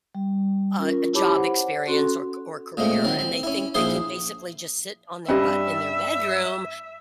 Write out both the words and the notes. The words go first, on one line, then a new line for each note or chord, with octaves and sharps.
uh, job experience or c or career and they think they can basically just sit on their butt in their bedroom
G3
C#4 F4 A#4
E4 G4 C#5 A5 B5 D6
C5 F#5
C#4 F#4 A4 C6
A#2 G#3 A3 C4
D#3 F#3 C4
C4
C#4 E4
A#1 E4 G#4 C5 C6
G2 G3 C4 C#4 G4 D#5 E5